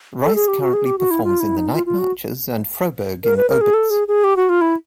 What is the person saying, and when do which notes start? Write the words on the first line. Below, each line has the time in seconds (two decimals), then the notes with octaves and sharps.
Reis currently performs in The Night Marchers and Froberg in Obits.
0.23 A4
0.35 G#4
0.48 G4
0.61 F#4
0.73 G#4
0.86 G4
0.98 F#4
1.11 E4
1.24 F4
1.40 E4
1.57 D#4
1.73 F4
1.86 F4
1.99 F#4
3.24 A#4
3.37 B4
3.49 A#4
3.61 G#4
3.74 A4
3.90 G#4
4.08 G#4
4.24 G4
4.36 F#4
4.49 F4
4.61 E4